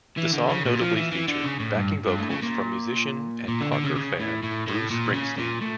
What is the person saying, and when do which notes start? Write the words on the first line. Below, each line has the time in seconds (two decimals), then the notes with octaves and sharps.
The song notably featured backing vocals from musician and Parker fan Bruce Springsteen.
0.18 E3
0.33 D3
0.49 C#3
0.65 A#2
0.81 F3
0.96 E3
1.12 E3
1.28 D3
1.44 C#3
1.60 A2
1.75 G2
2.07 G2
2.18 A2
2.31 C#3
2.43 A#2
3.48 A#2
3.61 D3
3.72 D3
3.84 C#3
3.96 C#3
4.20 A2
4.43 A2
4.67 A2
4.90 A#2
5.14 C#3
5.38 A#2
5.62 A2